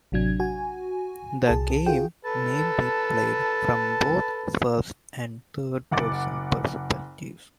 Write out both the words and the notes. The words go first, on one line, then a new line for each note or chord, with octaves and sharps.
The game may be played from both first- and third-person perspectives.
A1 C3 F#3 D4 G#6
F#4 G#5
C2 G#4 A5
F4 F#4 G#4 G5
A4 B4 A5
F#1 F#5 D6 A6